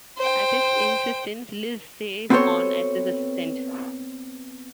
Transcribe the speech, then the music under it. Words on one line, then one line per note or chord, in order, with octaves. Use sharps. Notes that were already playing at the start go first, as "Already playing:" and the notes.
At his insistence, Liz stays on as his assistant.
C5 G5
B3 C4 F#4 A4 C5 C#5